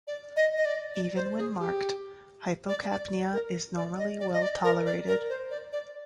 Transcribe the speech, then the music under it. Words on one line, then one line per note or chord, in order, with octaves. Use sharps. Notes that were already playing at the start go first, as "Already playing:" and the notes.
Even when marked, hypocapnia is normally well tolerated.
D5
D#5
D#5
D5
D5
C5
G#4
G4
D5
D5
A#4
D5
D#5
D5
D#5
D5
A#4
D5
A#4
C5
D5
D5